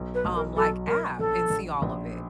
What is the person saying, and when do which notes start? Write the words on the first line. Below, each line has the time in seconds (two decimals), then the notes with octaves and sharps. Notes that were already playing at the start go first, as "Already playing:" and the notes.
um, like, app and see all of it?
Already playing: B1
0.15 B4
0.25 B1
0.36 A#4
0.56 F#3 A4
0.87 B1 A#4
1.19 A#1 A4
1.50 A#1
1.82 A#1